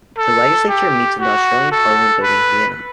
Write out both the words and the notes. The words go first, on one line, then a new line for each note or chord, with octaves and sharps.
The legislature meets in the Austrian Parliament Building in Vienna.
A4
G4
F#4
A4
B4